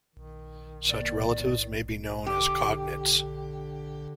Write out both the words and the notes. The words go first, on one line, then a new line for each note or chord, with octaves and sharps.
Such relatives may be known as cognates.
D#3
B2 A#3 D5
A2
D3 G4